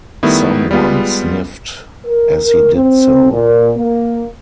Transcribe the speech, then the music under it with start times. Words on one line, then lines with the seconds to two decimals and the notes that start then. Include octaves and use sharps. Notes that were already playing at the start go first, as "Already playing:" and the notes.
Someone sniffed as he did so.
0.23 D#3 G3 A3 B3 E4
0.71 G3 G#3 B3 F4
2.06 A#4
2.75 C4
3.33 A#2
3.77 A#3